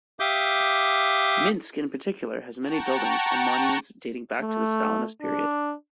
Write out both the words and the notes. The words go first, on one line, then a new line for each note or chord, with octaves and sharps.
Minsk in particular has many buildings and monuments dating back to the Stalinist period.
G4 E5 F5 D6 D#6 G6
F#5 G5 A5 A#5 C#6
A3
D4